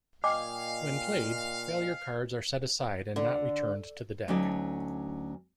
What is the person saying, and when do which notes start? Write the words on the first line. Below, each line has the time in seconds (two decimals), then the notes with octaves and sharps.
When played, failure cards are set aside and not returned to the deck.
0.24 A#2 D#5 F5 G5 G#5 D6
3.16 D3
4.28 D2 F#3 C#4 D#4 A4 D5